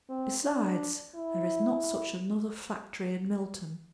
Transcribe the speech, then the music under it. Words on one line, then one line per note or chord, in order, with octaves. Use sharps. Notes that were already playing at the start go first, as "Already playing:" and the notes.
Besides, there is not such another factory in Milton.
C4
D4
E4